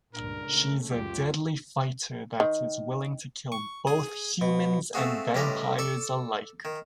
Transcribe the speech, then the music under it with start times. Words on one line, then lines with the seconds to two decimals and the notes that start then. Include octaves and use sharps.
She's a deadly fighter that is willing to kill both humans and vampires alike.
0.14 C#2 G2 A#2 D4 A#4
0.45 A#2 C#3 A3
0.91 C#2 F#2 F#3 F4 G4
2.40 D#3
3.52 C#6
3.87 G#4
4.41 B2
4.94 A3 C4 F4 F#4 G#4
5.35 C#2 A2 G3 G#3 D5 A#5
5.79 A4 D5 C#6
6.65 D#3